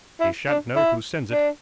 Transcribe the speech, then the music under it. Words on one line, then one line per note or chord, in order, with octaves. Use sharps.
'He shan't know who sends it.
E4
D4
E4
D4